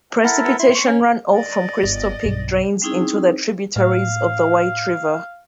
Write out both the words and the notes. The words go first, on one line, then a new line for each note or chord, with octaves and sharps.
Precipitation runoff from Crystal Peak drains into tributaries of the White River.
E4 A4 A#4 F#5
B3
E4 C6
C#6
C#4
D5 D#5
G1
B1 G2
G3 C4 C#4 D#4 E4 G#4
A2 F5